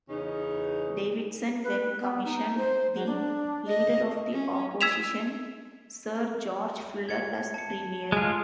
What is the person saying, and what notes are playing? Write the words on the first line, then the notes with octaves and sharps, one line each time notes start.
Davidson then commissioned the Leader of the Opposition, Sir George Fuller, as Premier.
E2 C#3 C#4 D#4
B4
B3
D#4
C5
F#3
D4
D#5
C#4
E6 G#6 B6 E7 F7
G#6 C#7
A5 C#7
G#3 F4 G#5